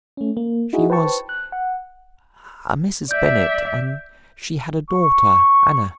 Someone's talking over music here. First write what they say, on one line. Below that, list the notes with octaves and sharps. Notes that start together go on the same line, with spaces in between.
She was a Mrs. Bennett, and she had a daughter, Anna.
A3 C#4
A#3
D#4 E4 F#4 G#4
B4 C5 G5 A5 C#6
F#6
F#5
D5 E5 G6
C#6